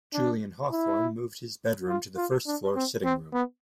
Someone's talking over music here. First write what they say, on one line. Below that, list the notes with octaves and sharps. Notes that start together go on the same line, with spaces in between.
Julian Hawthorne moved his bedroom to the first floor sitting room.
D4
E4
F4
F4
D4
C4
C4
B3